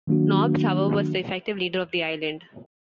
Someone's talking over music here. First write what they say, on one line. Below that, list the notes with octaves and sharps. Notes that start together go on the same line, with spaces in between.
Nobbs, however, was the effective leader of the island.
D#3 F#3 A#3 D4 F#4